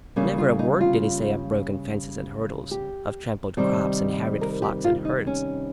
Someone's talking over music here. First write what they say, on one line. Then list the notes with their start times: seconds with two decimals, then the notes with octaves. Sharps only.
Never a word did he say of broken fences and hurdles, of trampled crops and harried flocks and herds.
0.16 C#3 G3 A#3 C#4
0.38 F4
0.59 D#4
0.81 F4
2.71 G4
3.57 C3 D#3 G3 C4
4.41 A#4
4.62 G4
4.84 F4
5.05 D#4
5.27 C#4